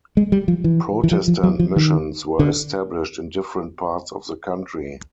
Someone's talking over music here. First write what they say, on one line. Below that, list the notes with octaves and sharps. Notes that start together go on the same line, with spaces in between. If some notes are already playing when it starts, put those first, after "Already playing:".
Protestant missions were established in different parts of the country.
G#3
G3
F3
E3
E3
F3
F3
F#3
F3
D#3
D3